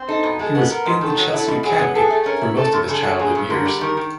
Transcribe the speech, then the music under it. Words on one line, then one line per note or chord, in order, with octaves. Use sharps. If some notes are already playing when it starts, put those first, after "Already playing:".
He was in the Chelsea academy for most of his childhood years.
Already playing: C4
D#4 A4
B2
G#3 A4
B3
B3 A#4
G#2
D#3 A4
F#3
E4 A4
B2
F#3 G#4
B3
G#4 A4
A3
C#4 A#4
E4
A3 A4
F#2
C#3 A4
F#3
G2 G#4
G2
D3 A#4
G3
D#3 A#4
D#3